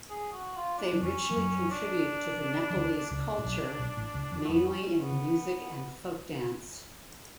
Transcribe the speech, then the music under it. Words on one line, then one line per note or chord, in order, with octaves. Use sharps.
They richly contribute to the Nepalese culture mainly in music and folk dance.
G#4
F#4
F4
D4
F#3
F2 F3 C#4
F3
F#2 F#3
D4
F3
D2 D3
C#2 C#3 D4
A2
B1 B2
B1 B2
A1 A2
C#2 C#3
F2 F3
A3
F2 F3 B3
C#4
C#4
B3
D3